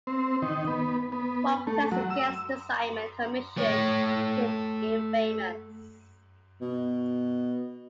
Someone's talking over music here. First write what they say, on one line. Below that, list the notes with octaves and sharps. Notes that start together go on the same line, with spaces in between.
One protest against the Simon Commission became infamous.
C4
D#3
B3
B3
A3
F#3
E6
A3 C#5
B2